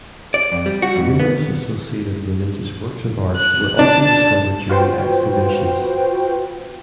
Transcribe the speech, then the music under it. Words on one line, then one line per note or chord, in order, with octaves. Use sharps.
Numerous associated religious works of art were also discovered during the excavations.
D5
F2
G3
F#4
F2
B3
F#6
D4 A5
F4 F#4 B4 C5 G5